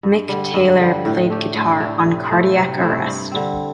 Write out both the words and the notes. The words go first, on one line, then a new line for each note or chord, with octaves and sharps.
Mick Taylor played guitar on "Cardiac Arrest".
G2
D3 G3
G2
D3 G3
A2
A3 D4 G4
A2
A3 D4 G4
C3
A3 E4 C5
C3
A3 E4 C5
G2
D3 G3 C4